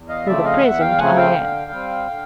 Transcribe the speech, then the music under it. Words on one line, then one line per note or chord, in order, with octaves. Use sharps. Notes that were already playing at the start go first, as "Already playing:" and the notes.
"For the present I am."
Already playing: E2
D#5 F5
C#3 F3 A3 C4 D5 E5
D#5 F5
E2 E5 F#5
F5 G5
C#3 F3 A3 C4 F#5 G#5
F5 G5
D3
G3 C4
D3